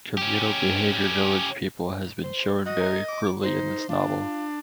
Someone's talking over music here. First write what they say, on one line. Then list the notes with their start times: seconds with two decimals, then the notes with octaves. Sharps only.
Communal behavior village people has been shown very cruelly in this novel.
0.17 C#4 G4
2.24 C5
2.66 F#4 D#5
2.80 A#4
3.08 D6
3.43 D#4 C5
3.89 D4 F4